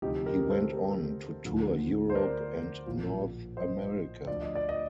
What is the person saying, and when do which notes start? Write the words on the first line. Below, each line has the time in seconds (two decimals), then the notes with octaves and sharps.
He went on to tour Europe and North America.
0.02 D2 C3 F3 D#4 G4
0.26 G4 A#4
0.50 A4 C5
0.73 G4 A#4
1.45 D2 D3 F3
2.10 C5
2.15 A#4 D5
2.86 A#1 A2 F3
3.57 C5 D#5
4.27 D2 D3 F3 D5
4.42 D#5
4.55 D5
4.69 D#5